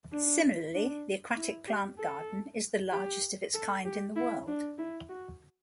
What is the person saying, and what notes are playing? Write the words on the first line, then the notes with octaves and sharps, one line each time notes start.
Similarly, the Aquatic Plant Garden is the largest of its kind in the world.
D4
D4
E4
G4
A4
G4
A4
G4
E4
D4
E4
F#4